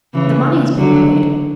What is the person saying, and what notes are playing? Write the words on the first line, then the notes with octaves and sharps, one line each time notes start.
The money has been paid.
C#3 E3
D3 F#3